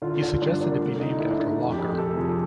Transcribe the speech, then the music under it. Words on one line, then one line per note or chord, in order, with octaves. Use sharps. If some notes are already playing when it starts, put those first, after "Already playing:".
He suggested it be named after Walker.
D3 F4
D3
G2 D4
A#3 D4
A3
D3 D#4
A3 E4
D4
A3 D#4
F2
G4
F2 G#4
C3 A4
F3 G#4